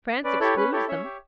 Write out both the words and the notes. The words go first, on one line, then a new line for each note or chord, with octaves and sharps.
France excludes them.
C#4 B4 D5
E4 G4 A4 C#5
C#4 B4
E4 G4 A4 C#5
C#4 C#5 E5
G4